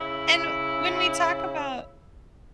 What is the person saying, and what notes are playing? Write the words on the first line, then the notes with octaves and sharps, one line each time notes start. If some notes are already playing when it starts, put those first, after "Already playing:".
And when we talk about
C#3 E4